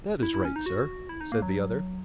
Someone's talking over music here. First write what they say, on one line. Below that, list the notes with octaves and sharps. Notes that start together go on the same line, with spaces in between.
"That is right, sir," said the other.
E4
E4
C#4
D#4
F#4
E4
D#4
A#3
F#3